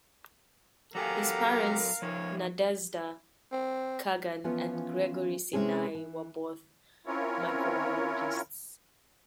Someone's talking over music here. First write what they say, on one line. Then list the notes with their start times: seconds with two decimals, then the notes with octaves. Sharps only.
His parents, Nadezda Kagan and Gregory Sinai, were both microbiologists.
0.95 F#3 G4 A4 A#4 F5 F#5 G#5 A#5
2.02 F3 D#4 C#5
3.52 C4
4.44 E3 F3 B3 C#4 F4
5.53 C3 G#3 C4 C#4 G#4
5.95 E3
7.06 C4 C#4 E4 F4 A#4 C#5